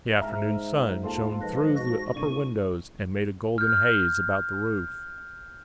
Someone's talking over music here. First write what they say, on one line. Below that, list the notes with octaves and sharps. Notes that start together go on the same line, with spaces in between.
The afternoon sun shone through the upper windows and made a golden haze about the roof.
G#2 E5 A#5 F6
D#2 F4 A4 F5 A5
F3 B4 D#5
F#4 A#6
C2 A2 D4 C#6 D#7
F6 G6